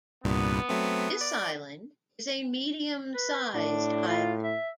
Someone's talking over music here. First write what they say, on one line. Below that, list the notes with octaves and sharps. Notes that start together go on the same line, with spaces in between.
This island is a medium-sized island.
C2 G2 A#2 B3
F#3 A3 C4
D5
B4
A2 D4
F4
E5